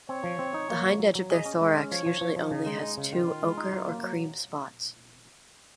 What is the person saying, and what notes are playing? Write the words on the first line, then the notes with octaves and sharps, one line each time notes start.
The hind edge of their thorax usually only has two ochre or cream spots.
C4 C#5
F3
C4
D#4
A#3
F#3
F#3
F#3
G#4 D#5
C#4
G#3 D#5
C#4
F3 C#5
F3
F3
F3
C#3 D#4
G#3
G#3
C#3
D#3 F4
D#3
G#3
D#4
F#3
A#3
F#3